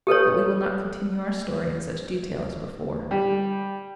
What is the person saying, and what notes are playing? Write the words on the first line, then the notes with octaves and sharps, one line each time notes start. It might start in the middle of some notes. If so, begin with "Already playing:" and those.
But we will not continue our story in such detail as before.
G4 A4 B4 C#5
G3